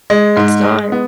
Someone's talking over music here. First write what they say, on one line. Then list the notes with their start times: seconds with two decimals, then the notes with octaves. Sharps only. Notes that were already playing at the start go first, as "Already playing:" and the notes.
It's not.
0.10 G#3
0.37 G#2
0.64 G#3
0.92 B3